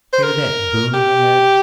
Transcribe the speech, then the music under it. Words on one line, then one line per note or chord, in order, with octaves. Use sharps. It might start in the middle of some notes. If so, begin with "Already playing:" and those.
Hear that booming ahead!
C5
A#4
G4